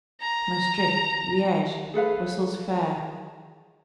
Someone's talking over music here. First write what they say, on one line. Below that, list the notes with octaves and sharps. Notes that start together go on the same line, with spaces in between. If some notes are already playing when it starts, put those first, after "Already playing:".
Maestricht, Liege, Brussels fair!
A#5
G#4 A4 B4 F5